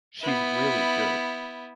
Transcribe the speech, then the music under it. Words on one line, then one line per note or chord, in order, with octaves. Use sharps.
She’s really good.
B3 E4